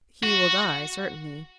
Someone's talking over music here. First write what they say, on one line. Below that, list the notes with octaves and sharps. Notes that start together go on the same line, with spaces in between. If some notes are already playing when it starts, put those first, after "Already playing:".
"He will die, certainly."
F#4